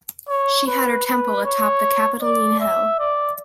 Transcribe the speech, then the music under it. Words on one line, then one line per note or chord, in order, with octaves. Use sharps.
She had her temple atop the Capitoline Hill.
C#5
B4
B4
C#5
D5
E5
D5